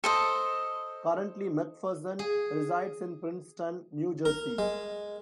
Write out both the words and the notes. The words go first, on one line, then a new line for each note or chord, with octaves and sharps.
Currently, McPherson resides in Princeton, New Jersey.
A4 C5 D#5
G#4
A#4
G#3